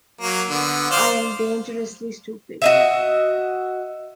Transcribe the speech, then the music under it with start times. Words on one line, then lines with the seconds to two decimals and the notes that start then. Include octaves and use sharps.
I am dangerously stupid.
0.21 F#3 A#3
0.50 D3 B3
0.91 C5 D5 F5
2.62 F#4 D#5 E5